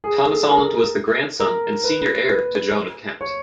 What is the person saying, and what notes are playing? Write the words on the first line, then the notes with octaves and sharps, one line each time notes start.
Thomas Holland was the grandson and senior heir to Joan of Kent.
G#4
A4
A#4
A#4
B4
B4
C#5